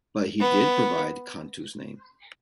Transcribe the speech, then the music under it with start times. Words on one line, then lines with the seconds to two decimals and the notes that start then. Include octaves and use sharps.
But he did provide Cantu's name.
0.40 B3